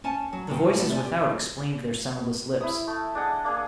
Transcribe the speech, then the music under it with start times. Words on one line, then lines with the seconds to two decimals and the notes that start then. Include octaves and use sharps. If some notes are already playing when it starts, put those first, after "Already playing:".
The voices without explained their soundless lips.
0.04 C#4 C5 G#5 A5
0.33 F#3
0.50 G2 C3 C#4 B4 G5
0.77 G3 A3 B3 E4
0.91 D5 G#5
1.05 G4
2.61 E4 D#6
2.87 A3
3.15 D4 G#4 D#5 F#5
3.44 A#3 D4 G#4